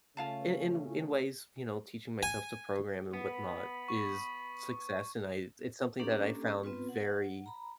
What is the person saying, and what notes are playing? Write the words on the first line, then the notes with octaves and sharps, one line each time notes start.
in in in ways, you know, teaching myself to program and whatnot is success, and I it's something that I found very,
C#3 A3 C#4 F4 F5 A5
G#5
B3 B5
C#6
A#3 C#4 D4 G4 A4
B3 C4 F4 B4
F#5
A#5 B5